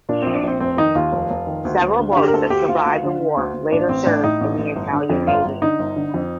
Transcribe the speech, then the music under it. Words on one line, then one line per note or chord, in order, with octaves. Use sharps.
Several boats that survived the war later served in the Italian Navy.
A#2 D4
A#1 C4
D4
A#1 C4
F1 C4
D#3 D#4
D#2 F4
F1
F1
D#3
D2
D2
D3
F4
D3 G4
A#4
D2 A4
D2 G4
D2 F4
D2
D3
D3
D2
D2
A1 D4
A1 C4
A2 D4
A2 D#4
A1
A1
G1
D3
F2
G1 F4
G1
D3 D#4
G1
D3
F2